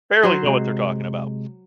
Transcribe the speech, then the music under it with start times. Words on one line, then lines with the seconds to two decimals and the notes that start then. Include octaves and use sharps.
Barely know what they're talking about,
0.23 F#3 C5
0.44 C3 G#3